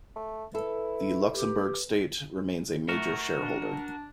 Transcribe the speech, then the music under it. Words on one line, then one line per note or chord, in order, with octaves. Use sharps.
The Luxembourg State remains a major shareholder.
A3
E4 A4 B4
G4 B4
A3 F#4 A#4
D4